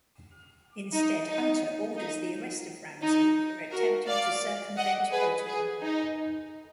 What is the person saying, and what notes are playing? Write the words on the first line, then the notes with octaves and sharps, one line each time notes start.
Instead Hunter orders the arrest of Ramsey for attempting to circumvent protocol.
D#4
D#4
D#4
D#4
F#4 A#4
D5 F5
D#5 F#5
G#4 B4
G#4
D#4